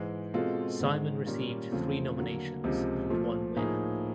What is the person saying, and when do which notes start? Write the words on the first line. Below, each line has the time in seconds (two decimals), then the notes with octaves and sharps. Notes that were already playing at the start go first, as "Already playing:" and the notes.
Simon received three nominations and one win.
Already playing: G#2 E3 G#3
0.34 B2 G#3 C4 F4 A4
0.80 G#2 D#3 G#3
1.26 A#2 G3 A#3 C#4
1.72 E2 C#3 F3 A3 C4
2.18 D3 F#3 A#3
2.64 C#2 C3 F3 A#3
3.10 A#2 F3 A3
3.56 A2 F3 A#3 D#4 G#4